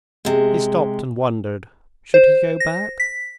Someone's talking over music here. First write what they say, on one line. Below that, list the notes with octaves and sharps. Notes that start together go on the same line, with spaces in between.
He stopped and wondered--should he go back?
C3 G#3
C5
A#6
B6